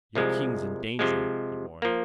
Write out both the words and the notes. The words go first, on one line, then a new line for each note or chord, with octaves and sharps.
"Your king's in danger," he warned.
C2 C3 F3 G#3
C3 F3 G#3
F3 A#3